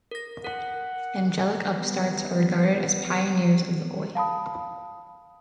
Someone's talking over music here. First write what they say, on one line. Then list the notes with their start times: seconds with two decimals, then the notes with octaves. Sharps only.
Angelic Upstarts are regarded as pioneers of the Oi!
0.11 A#4 A#6
0.44 A#4 F#5
1.71 G3 B3
4.15 F5 A5 B5 D#6